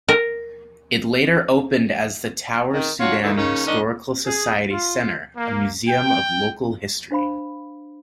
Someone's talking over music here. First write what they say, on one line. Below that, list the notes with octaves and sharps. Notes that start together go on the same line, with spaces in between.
It later opened as the Tower-Soudan Historical Society Center, a museum of local history.
A#4
D#3
D4 F4 F#4 C#5
D#2 D3 E3 D#4 E4
C#3 A#3 C#4 D#4
G#2 D#3 C#4 D4 D#5
G#4
F4
A#3
G5
D4 C5 F5 B5